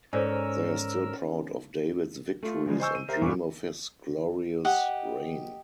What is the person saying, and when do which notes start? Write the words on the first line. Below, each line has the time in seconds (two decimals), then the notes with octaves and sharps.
They are still proud of David's victories and dream of his glorious reign.
0.13 G#2 C#4 A4 A#4 C5 D5 E6
2.43 A3 F4
2.66 E3 F3 G3 G#3
2.80 C5 D#5 G#5 C#6 E6 G6
2.95 D#7
3.08 G4 A#4 C5 E5
3.21 E2 G2 A#2 C#6 D6
4.65 G4 D#5 F#5